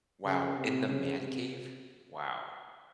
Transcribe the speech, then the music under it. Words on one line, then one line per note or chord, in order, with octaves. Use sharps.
Wow! In the man cave? Wow!
C#3
C3
C#3
C3